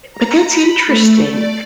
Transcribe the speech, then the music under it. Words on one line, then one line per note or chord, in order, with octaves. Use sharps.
but that's interesting.
A#5
B5
A3
D5